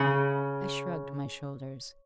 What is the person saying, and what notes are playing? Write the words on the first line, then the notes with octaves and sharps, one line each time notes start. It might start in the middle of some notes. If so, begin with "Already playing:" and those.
I shrugged my shoulders.
Already playing: C#3